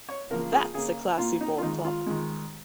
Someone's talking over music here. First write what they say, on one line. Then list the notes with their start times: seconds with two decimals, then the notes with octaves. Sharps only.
That's a classy ballclub.
0.09 C#5
0.30 C#3 F3 A#3 A#4
0.52 G#4
0.74 C#3 G#4
0.77 A#3
1.18 A#2 A#3 F4
1.41 D#4
1.58 F4
1.62 D#3 D#4
1.66 G#3
1.85 F4
2.06 D#3 G#3